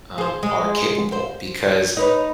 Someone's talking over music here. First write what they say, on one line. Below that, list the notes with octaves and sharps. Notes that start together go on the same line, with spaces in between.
um, are capable because,
G#4 C5
G#3
C5
D#4 B4 C#5